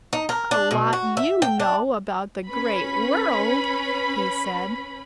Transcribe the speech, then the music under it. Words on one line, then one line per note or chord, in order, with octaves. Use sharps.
"A lot you know about the Great World," he said.
D#4
A#4
D4
B2
F#4
E5
G5
D4
C#4 B4 B5